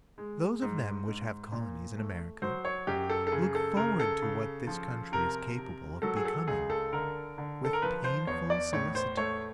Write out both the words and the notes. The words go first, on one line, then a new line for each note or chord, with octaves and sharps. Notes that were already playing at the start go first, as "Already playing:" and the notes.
Those of them which have colonies in America look forward to what this country is capable of becoming, with painful solicitude.
G#3
G#2
G#2
A#2
A3
F#3 C5
C#5
F#2 G4
A4
A4
C#3 G#4
A4
C#3 A#4
A4
C#3
F3
C3 A#4
C3
F#3 A4
G#4
A4
C#2 G#4
A4
D3 A#4
D3
A4
A#4
F3 B4
C5
E2 C#5
D5
A2 C#5
C5
A3 C#5